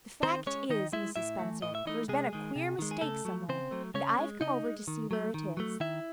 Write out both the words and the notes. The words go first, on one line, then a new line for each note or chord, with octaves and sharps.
The fact is, Mrs. Spencer, there's been a queer mistake somewhere, and I've come over to see where it is.
D#3 C4 C5
G#3 C#4 C#5
D#3 D#4 D#5
G#3 E4 E5
A2 E4 E5
E3 A3
A2 D#5
E5
E3 A3 D#4 D#5
C3 G#3 G#4
D#3 G#3
C3
D#3 G#3
G#4
C#3 A3 A4
F#3 A3
C#3 C4 C5
F#3 A3
C#3 C#4 C#5
G#3
C#3 D#4 D#5
G#3
D#3
F#3 A3
D#3
F#3 A3
D#3 E4 E5